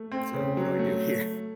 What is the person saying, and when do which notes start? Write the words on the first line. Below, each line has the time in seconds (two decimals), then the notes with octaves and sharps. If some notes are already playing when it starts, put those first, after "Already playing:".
So, what do I do here?
Already playing: A3
0.12 C4
0.34 C#3
0.57 F#3
0.79 A3